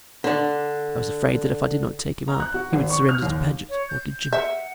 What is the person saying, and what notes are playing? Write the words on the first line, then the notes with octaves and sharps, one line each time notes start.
I was afraid that if I did not take him up he would surrender to Paget or to Jimmy.
D3 D4
A#5
F#6
F#4
G#1
C#6
F6
D#2
C#5
G6
E5 F#5